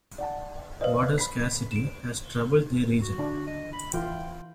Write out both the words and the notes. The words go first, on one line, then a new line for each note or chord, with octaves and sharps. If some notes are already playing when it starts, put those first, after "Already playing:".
Water scarcity has troubled the region.
D5 F#5 A5
B4 C5 D5 D#5 F5
B5 B6
D7 E7
F#4
D3 D4
D#5
B5
E3 F4 G5